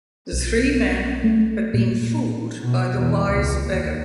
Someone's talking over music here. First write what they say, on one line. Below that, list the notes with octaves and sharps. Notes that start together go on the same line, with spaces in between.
The three men had been fooled by the wise beggar.
B1
A3
A#2
B2
E2
C#2
D#2